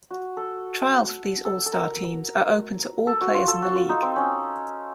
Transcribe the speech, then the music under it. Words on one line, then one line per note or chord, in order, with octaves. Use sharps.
Trials for these All-Star teams are open to all players in the league.
F#4
A4
A4
A4
A#4
A4
F#4
F4
A4
F#4
F4
D#4
C4
C#4